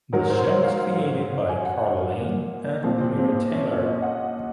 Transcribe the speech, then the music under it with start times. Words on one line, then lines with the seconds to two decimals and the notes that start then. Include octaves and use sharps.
The show was created by Carla Lane and Myra Taylor.
0.13 G#2 D#3 F#3 A#4
0.30 C5
0.46 C#5
0.64 F5
1.49 G#5
1.65 F#5
1.83 F5
2.17 A#3
2.84 A#2 F3 C4
3.01 C4
3.18 C4
3.34 C4
3.51 C#4
3.69 F4
3.86 D#5
4.02 F#5